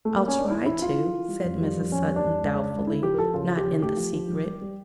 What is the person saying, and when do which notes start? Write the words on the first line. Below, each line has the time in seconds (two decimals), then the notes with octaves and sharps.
'I'll try to,' said Mrs. Sutton doubtfully--not in the secret.
0.05 A3
0.17 A#3
0.28 C#4
0.39 D4
0.50 E3 E4
0.66 E3 E4
0.82 E3 F4
0.97 E3
1.13 E3
1.28 G3
1.44 F2
1.61 G3
1.77 F2
1.92 F2 C#4
2.07 G3
2.16 D4
2.24 F2
2.40 C#2
2.55 C#3
2.71 C#2
2.87 C#3 E4
3.02 F3 G4
3.14 A#4
3.18 F3 A4
3.34 C#3 F4
3.51 F3
3.58 G4
3.66 C#3
3.82 A3 G4
3.97 F3
4.13 F3
4.29 A#1
4.45 G3
4.61 G3